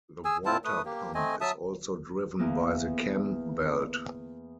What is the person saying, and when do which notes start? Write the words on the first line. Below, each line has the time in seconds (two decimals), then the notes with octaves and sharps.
The water pump is also driven by the cam belt.
0.25 G#4 G#5 E6
0.46 C4 E4 F4 A5
0.65 A3 B4 D#6
0.85 A#3 G4
1.14 A3 C4 D#5 G#5
1.41 F#3 E5 A5 D#6
2.39 E2 A#3